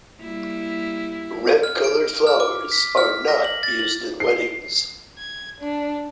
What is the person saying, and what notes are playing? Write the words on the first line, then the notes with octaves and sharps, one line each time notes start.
Red colored flowers are not used in weddings.
G3 A#3 E4
F6
D7
F6
D6
B6
F6
A#6
F#7
A6
F#7
C7
G#6
D4